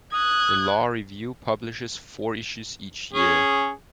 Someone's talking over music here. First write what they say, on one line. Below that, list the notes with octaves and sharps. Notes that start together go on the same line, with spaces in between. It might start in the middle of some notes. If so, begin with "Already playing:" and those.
The law review publishes four issues each year.
D#6 F#6 G#6
C#4 G#4